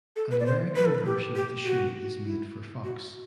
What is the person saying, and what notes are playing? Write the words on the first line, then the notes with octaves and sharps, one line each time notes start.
An American version of the show is made for Fox.
A4
B4
D5
C5
B4
A4
B4
G4
G4
F#4
E4
F#4